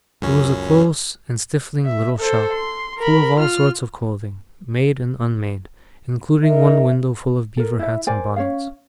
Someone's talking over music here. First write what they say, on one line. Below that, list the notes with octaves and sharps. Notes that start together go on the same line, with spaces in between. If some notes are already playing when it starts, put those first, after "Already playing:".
It was a close and stifling little shop; full of all sorts of clothing, made and unmade, including one window full of beaver-hats and bonnets.
C#2 F#2 C#4
E5
A4 C5
C6
A#4 B5
F4 F6
D#4 A#4 E5
A4 A#4
E4 E5
A#4 C5 D5 G#5
C#4 C#5 F5